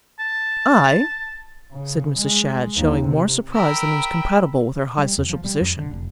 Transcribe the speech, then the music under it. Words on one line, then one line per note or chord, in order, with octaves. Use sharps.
"I?" said Mrs. Shadd, showing more surprise than was compatible with her high social position.
A5
C#3
G#3
D#2
C3
A#4 G5 B5 E6
G3
E2
F3
G3
F2
D3
F1